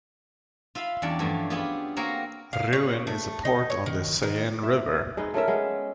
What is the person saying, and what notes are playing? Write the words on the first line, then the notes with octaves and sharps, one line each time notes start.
Rouen is a port on the Seine river.
F4 E5 F5 B5
E2 G3 C#4 D4 D5 F#5
G2 E3 F3 A3
B3 F4 G4 G#4 E5 B5
A#3 C4 F#4 A#4 C#5
F5
C#5
A3
D#4
C#5
D#3
D#3
E5
G#3 D#4 B4
A3 C#4 A#4 E5
G#3 B3